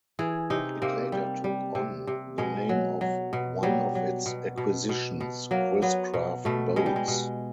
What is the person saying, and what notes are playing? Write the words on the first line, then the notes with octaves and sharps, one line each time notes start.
It later took on the name of one of its acquisitions, Chris-Craft Boats.
E3 G#4
C3 D#4
C3 A#3
G3
G3
C3
C3
B2 G#3
F#3
F#3
B2
F#3 G3
F#3
B2
B2
B2
B2
F#3 A#3
F#3 B3
B2
B2 A3
B2 G#3
G3
G#3
B2